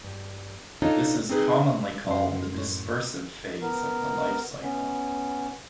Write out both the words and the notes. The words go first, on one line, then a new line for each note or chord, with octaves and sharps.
This is commonly called the dispersive phase of the life cycle.
G2
D4 D#4 F4 A4 C#5 D#5
C4 D#4 G#4 B4
F#2 C6
A2 C#5
B3 A#4
B3 C#4